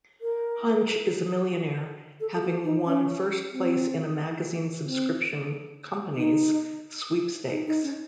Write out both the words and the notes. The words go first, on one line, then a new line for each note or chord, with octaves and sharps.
Hunch is a millionaire, having won first place in a magazine subscription company's sweepstakes.
A#4
A4
A4
F#4
D#4
C#4
C4
C4
D#4
D#4
D#4
C#4